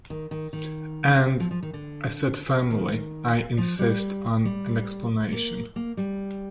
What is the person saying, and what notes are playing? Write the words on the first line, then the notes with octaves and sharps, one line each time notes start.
And," I said firmly, "I insist on an explanation.
D#3
D#3
D#3
F3
F3
D#3
D3
D#3
F3
G3
G3
A#3
A#3
G3